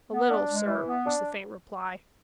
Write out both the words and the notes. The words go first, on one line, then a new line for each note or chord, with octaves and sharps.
"A little, sir," was the faint reply.
B3
D4
G#3
E3
B3
D4